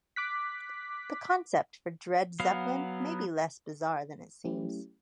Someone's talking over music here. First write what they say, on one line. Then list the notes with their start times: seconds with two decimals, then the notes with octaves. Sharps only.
The concept for Dread Zeppelin may be less bizarre than it seems.
0.16 D6 F#6 B6
2.40 F#3 B3 F5
4.44 F#3 A3 C#4 E4 G4